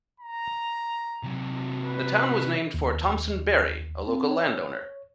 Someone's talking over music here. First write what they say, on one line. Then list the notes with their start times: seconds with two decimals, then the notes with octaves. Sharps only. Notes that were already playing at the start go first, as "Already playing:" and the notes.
The town was named for Thompson Berry, a local landowner.
0.20 A#5
1.23 C3 F#3
1.84 B4
2.74 D#2
4.08 C4
4.31 C#5